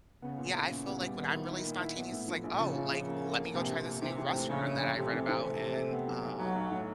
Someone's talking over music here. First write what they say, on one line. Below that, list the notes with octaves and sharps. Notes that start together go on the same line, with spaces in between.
Yeah, I feel like when I'm really spontaneous, it's like, "Oh, like, let me go try this new restaurant that I read about in, um,
C#3 B3
A#2
E4
A#2
B3
G3
D#3 B3
E4
E4
A#2
E4
B3
A2
F3
A#1
C#3 F3
F3
F3
A#3
A#3
A#3
A#1 C3
A#1
A#1
C3 E3
E3
A2
A#1 C#3
A#1
A#1
C3 A3
E3
E3
C3 A3
A3
A3
B3
F#3
B1
B1 F#3
B1
A2